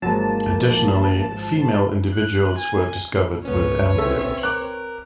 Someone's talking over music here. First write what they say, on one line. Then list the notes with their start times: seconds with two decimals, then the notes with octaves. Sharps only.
Additionally, female individuals were discovered with embryos.
0.02 G#1 G#2 F3 F#3 G#3 A#3 A5
2.14 F#6
2.58 G#5
3.45 C#2 G#2 B3 C#4 B4 C#5
3.98 C4 C#4 A4 E5
4.43 A#4 D6 F#6